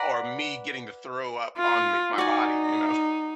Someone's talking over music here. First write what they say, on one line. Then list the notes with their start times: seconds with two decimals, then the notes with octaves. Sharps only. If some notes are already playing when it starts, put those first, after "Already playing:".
or me getting to throw up on me my body, you know?
Already playing: B4 D5 F#5 A#5
1.58 F4
2.17 D#4 F#4 D5 G#5